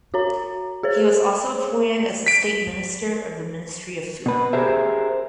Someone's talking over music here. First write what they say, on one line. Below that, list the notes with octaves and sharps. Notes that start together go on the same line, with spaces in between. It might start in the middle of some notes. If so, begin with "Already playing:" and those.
He was also appointed as the state minister of the Ministry of Food.
F#4 C#5 A#5
G#4 C5 C#5
B6 D7
B2 B4
G4 G#4 A#4 C5 E5